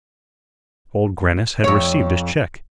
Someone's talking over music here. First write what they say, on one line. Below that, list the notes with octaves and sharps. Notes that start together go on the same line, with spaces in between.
Old Grannis had received his check.
F2 C#5